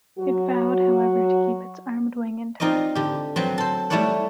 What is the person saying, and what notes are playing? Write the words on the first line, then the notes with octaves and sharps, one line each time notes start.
It vowed, however, to keep its armed wing intact.
F#3 F#4
C4 D#4 F4 D5 D#5
D3 G4
F#3 B3 C4
A4 C5
G3 A3 E4 C#5 D5 F#5